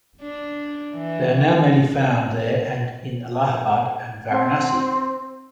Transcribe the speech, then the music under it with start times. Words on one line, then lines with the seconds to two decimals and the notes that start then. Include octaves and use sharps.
They are now mainly found there and in Allahabad and Varanasi.
0.22 D4
0.94 E3
4.31 C4